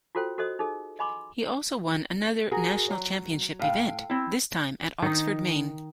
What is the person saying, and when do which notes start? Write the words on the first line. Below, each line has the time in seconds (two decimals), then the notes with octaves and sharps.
He also won another National Championship event, this time at Oxford Maine.
0.15 F4 F#4 A4 C5 G5
0.38 F#4 A4 C5 D#5 D#6
0.59 D#4 G#4 A4 D#5
0.99 D#5 G#5 B5 C6 D6
2.51 F#4 G#4 A#4
2.90 F#3
3.59 A2 F5 G5
4.10 C4 E4
5.02 D#3 D#4